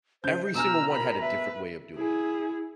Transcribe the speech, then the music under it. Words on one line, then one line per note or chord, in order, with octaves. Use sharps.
every single one had a different way of doing it,
C#3 C5 G6
B2 G#5 A#5 E6 F6
A#4 B5
B4 E5
E4 G#4